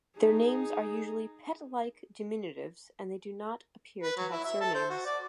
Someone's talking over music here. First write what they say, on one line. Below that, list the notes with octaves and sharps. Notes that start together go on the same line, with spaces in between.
Their names are usually pet-like diminutives, and they do not appear to have surnames.
D#4 G#4
B4
F#3
E4
E5
A4
C5
F#4
D5